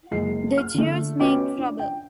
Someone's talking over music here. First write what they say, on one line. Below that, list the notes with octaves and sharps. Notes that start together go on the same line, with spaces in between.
The Jews make trouble.
F#1 G#3 G#4 C7
F6
D3 A3
B3 C#4 F#4 D#5 G5 D6
D4
G5